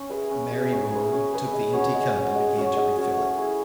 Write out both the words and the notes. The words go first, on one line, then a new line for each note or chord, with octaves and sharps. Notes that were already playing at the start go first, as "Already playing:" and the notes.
Mary Bewery took the empty cup and began to refill it.
Already playing: C#4
G#4 B4 E5
C#4
G#4 B4 E5
C#4
G#4 B4 E5
C#4
G#4 B4 E5
G#3
C#4 F#4 C#5
G#3
C#4 F#4 C#5
G#3
C#4 F#4 C#5
G#3
C#4 F#4 C#5
A3
E4 G#4